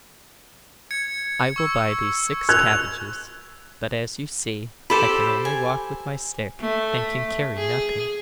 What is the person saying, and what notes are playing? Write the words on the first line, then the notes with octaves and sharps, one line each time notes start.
'I will buy these six cabbages, but, as you see, I can only walk with my stick and can carry nothing.
G#6 C#7
C#6 E6
E6 F#6 G#6 F7
G4 A4 C5 B5
G#5
A3
G#4